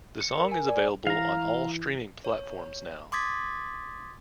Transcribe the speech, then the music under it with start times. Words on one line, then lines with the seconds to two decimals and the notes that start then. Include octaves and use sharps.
The song is available on all streaming platforms now.
0.21 C#7
0.38 A#4
0.52 G#5
0.68 D5
1.07 E3 F5 A#5
2.25 C#5
3.12 C6 D6 D#6 G#6 A6 B6